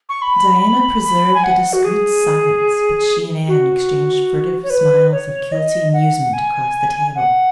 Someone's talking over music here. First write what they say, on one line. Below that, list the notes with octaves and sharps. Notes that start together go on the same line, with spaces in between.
Diana preserved a discreet silence, but she and Anne exchanged furtive smiles of guilty amusement across the table.
C#6
B5
B5
B5
G#5
F#5
F#4
G#4
F#4
C#5
B4
C#5
D#5
F#5
G#5
F#5